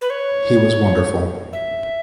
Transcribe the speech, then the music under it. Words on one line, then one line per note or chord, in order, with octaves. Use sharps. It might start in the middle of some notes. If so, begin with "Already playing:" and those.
He was wonderful.
B4
C#5
E5